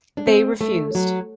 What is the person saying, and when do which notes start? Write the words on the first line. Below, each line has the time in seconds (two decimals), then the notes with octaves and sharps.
They refused.
0.17 D4
0.27 C4
0.61 A3
0.95 F#3